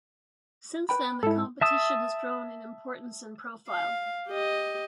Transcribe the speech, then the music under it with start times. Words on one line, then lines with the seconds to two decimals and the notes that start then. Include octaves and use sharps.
Since then the competition has grown in importance and profile.
0.89 B4 G5 B5
1.23 G#2 E4 A4
1.61 E5 A5 D#6 E6
3.69 F5
4.28 G4 D#5